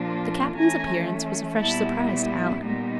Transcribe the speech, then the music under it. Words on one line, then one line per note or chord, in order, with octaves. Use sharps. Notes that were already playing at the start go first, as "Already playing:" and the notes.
The Captain's appearance was a fresh surprise to Alan.
Already playing: A#2 F3 A#3 D4 F4
E3 A3 C#4 G#5 A#5
A#2 G3 B3 E4 A5 B5
A#2 G3 B3 D#4